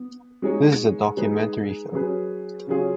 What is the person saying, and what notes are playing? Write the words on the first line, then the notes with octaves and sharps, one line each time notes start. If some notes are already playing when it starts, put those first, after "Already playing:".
This is a documentary film.
Already playing: B3
G#3 D#4 G#4 C#5
G#3 D#4 G#4 B4
F#3 C#4 G#4 B4
C#3 F#3 C#4 F4 G#4